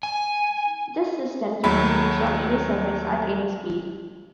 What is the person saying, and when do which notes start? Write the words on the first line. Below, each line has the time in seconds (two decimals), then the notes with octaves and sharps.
This system can be used on any surface at any speed.
0.03 G#5
1.64 D#2 F#3 A3 B5